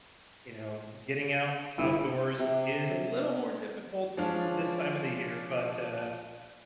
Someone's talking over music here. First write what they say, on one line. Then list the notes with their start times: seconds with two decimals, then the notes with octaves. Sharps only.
you know, getting out outdoors is a little more difficult in this time of the year, but, uh
1.78 G1 E4
2.39 C3
4.17 F3 G#3 C#4 D4 F4 D5